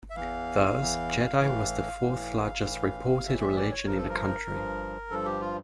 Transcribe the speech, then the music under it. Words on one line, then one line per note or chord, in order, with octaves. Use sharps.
Thus, "Jedi" was the fourth-largest reported religion in the country.
E5
E2 E3 F5
E2 E3
A2 E3 F5
A2 E3
A2 E3
A2 E3 E5
E5
D5
C#5
G2 F3 A#4
A4
A#4
G2 F3
G2 F3 A4
G4
F4